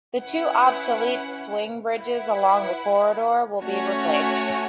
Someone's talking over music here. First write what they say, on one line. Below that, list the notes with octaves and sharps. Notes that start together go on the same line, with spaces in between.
The two obsolete swing bridges along the corridor would be replaced.
C#4 E4 B4 F#5
E4 B4 F#5
A3 C#4 F#4 C#5 G#5